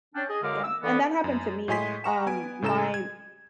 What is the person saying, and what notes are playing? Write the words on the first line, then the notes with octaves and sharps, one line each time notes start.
Yeah. And that happened to me, um, my
C#4 D4 G5
G#4 D#5
F#2 D3 G#3 A#4 F5 D6
E6
D3 E3 A#3 B3
F#2
A2 G#3 D#5 G#5 C6 B6
F#5 A#5 C#6 E7
B3 G#5 D7
A2 C#3 A4 A#5 E7
G#6